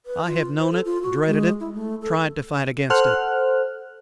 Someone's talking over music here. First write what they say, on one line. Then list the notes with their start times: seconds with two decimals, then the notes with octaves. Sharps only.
I have known it--dreaded it--tried to fight against it.
0.06 B4
0.25 F4
0.60 C5
0.71 A4
0.85 F4
1.03 F#4
1.27 G#3
1.60 E4
1.74 A3
2.02 A4
2.90 A4 C5 F#5 F6 F#6